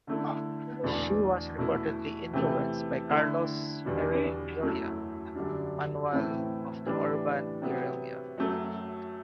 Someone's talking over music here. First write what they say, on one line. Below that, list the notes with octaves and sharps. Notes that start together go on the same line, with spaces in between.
She was reportedly influenced by Carlos Marighella's "Manual of the Urban Guerilla".
D3 A3 E4
E2 B2 A3 D4
B2 A3 E4
C3 E3 A3
D3 A3 E4
E2 B2 G3 D4
F#2 F#3 A3 E4
F#2 D3 G3 D4
A2 E3 A3 C4 E4
A2 E3 G3 D4
C3 F#3 B3
F#2 F#3 A3